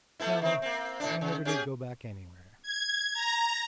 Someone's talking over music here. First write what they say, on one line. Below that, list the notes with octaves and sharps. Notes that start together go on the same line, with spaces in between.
No, we never did go back anywhere.
A3 B3 E4
D#3 C4
A#3 C4
A2 C3 D4
C#3
C#4 G4 G#4
G#6
A#5